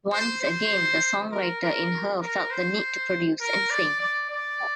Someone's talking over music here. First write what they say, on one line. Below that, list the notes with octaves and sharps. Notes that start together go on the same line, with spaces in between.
Once again the songwriter in her felt the need to produce and sing.
C5
C5
A#4
A#4
A#4
C5
A#4
D5
D5
D5